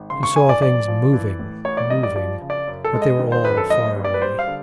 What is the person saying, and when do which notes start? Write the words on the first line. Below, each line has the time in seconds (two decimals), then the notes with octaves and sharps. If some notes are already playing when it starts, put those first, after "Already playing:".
He saw things moving, moving, but they were all far away.
Already playing: G#1
0.10 C#3 C6
0.23 C#6
0.36 F2 G#5
0.49 D5
0.61 F1 D5
0.88 F3
1.13 E3
1.39 A2
1.65 A1 C#5
1.77 D5
1.90 G3 D#5
2.03 D5
2.15 F3 D5
2.41 C#3
2.50 D5
2.68 F#2
2.84 A4
2.93 G#3
3.02 D#5
3.19 D#3
3.32 C5
3.45 F#2 B4
3.57 A4
3.70 F#1 D#5
3.96 G3
4.05 D5
4.14 B4
4.22 G3 C5
4.39 F5
4.47 D3